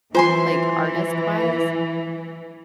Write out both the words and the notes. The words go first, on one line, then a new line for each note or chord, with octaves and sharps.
Like, artist-wise?
E3 F4 C5 G#5 C6